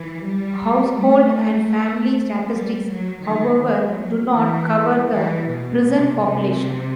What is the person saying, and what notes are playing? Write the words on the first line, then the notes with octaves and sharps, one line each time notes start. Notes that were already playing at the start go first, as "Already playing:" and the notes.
Household and family statistics, however, do not cover the prison population.
Already playing: E3
G3
A3
G3
F#3
D#3
F#3
E3
E3
B2
C3
C3